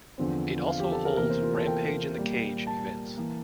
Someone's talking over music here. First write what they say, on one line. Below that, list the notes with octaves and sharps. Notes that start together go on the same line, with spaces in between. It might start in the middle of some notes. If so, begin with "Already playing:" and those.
It also holds Rampage in the Cage events.
E2 D3 F3 C4
F5
G4
A4
A#4
E2 C3 E3 A#3 A#4
C5
F4
A4
G5
A#2 G3 A#3
A5
E3 A#3